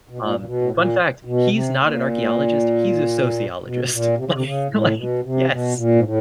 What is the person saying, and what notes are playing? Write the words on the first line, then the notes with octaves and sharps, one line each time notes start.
Um, fun fact, he's not an archaeologist, he's a sociologist, like like yes.
B2
A#2
A#2
B2
A2
A#2
B2
C3
A#2
B2
B2
A#2
C3
C#3
C3
D3
C#3
A2
B2
C3
B2
A#2
G#2
A2